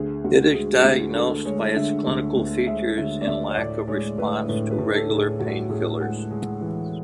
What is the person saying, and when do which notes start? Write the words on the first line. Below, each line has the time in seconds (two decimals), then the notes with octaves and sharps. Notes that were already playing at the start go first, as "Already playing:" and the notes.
It is diagnosed by its clinical features and lack of response to regular painkillers.
Already playing: D2 G#4
0.24 D2 F#4
0.54 G#3 G#4
0.78 F#4
0.84 D2 G#4
1.14 D3 A4
1.45 G#3 C#5
1.75 D3 E5
2.06 D2
2.37 D2
2.66 G#3 E5
2.97 D3 E5
3.21 D5
3.27 D2 E5
3.48 C#5
3.57 A2 D5
3.88 G#3 C#5
4.18 A2 B4
4.48 A2 B4
4.71 B4
4.78 A2
4.95 A4
5.09 A2
5.16 G#4
5.39 A2 F#4
5.69 A2 G#4
6.00 G#3 F#5
6.31 G#3
6.61 E3